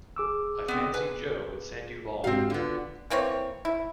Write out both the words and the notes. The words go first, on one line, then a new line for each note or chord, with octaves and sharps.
I fancied Jo would send you volumes.
G#4 D6 E6
B3 C4
B4 G#5
G#2 C4 F#4 G4 F5
D3 B3 F4
E3 A#3 C4 C#5
E4